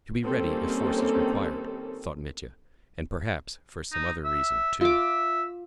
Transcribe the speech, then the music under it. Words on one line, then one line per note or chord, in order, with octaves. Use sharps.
"To be ready if force is required," thought Mitya, "and perhaps for some other reason, too."
D#3 G3 A#3 C4 C#4 A4
D#4
E5
F4 E5 D6